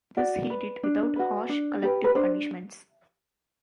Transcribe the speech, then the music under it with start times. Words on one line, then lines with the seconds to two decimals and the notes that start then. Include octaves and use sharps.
This he did without harsh collective punishments.
0.17 F#4 D5
0.50 B4
0.83 D4
1.16 F#4 B4
1.49 D4
1.83 G4 B4
2.04 B4
2.15 D4 C5